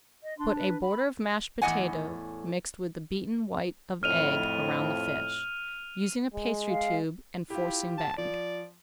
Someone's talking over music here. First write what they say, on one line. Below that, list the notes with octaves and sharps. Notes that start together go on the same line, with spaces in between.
Put a border of mashed potato mixed with the beaten white of egg around the fish, using a pastry tube and forcing bag.
D#5
D4 C6
B4
B5
E2 A2 D#5 F#5 G#5
F2 A2 F6 D#7 F7
G#3
F5
E4 F4 G4
A5
F3 D5